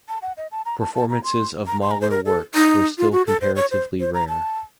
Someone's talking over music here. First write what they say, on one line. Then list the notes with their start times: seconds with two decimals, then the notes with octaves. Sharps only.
Performances of Mahler works were still comparatively rare.
0.08 A5
0.22 F#5
0.37 D#5
0.52 A5
0.66 A#5
0.80 A5
0.95 A5
1.10 A#5
1.24 C6
1.67 A#5
1.82 C6
1.91 A#5
2.01 C5
2.10 A#4
2.26 A4
2.55 D#4
2.98 F4
3.12 F#4
3.27 A4
3.41 C5
3.56 C#5
3.71 C5
4.00 C5
4.14 A#5
4.29 A5